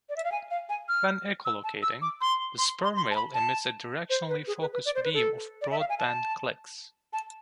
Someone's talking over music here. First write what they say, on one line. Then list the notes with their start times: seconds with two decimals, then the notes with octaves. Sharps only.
When echo-locating, the sperm whale emits a directionally focused beam of broadband clicks.
0.09 D5
0.16 E5
0.24 F5
0.32 G#5
0.51 F5
0.69 G#5
0.89 F6
1.45 E6
1.64 A5
1.83 E6
2.02 D6
2.21 C6
2.58 C6
2.84 C6
2.96 C6
3.11 A5
3.16 B5
3.34 A5
4.10 C5
4.29 B4
4.47 G#4
4.61 B4
4.73 B4
4.86 D5
4.95 C5
5.04 B4
5.14 A4
5.62 D5
5.71 E5
5.80 F5
5.90 G#5
5.99 A5
7.13 A5